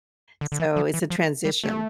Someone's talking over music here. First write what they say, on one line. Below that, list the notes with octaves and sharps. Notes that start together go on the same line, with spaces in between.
So, it's a transition,
D3
D3
E3
F3
E3
F3
G3
A3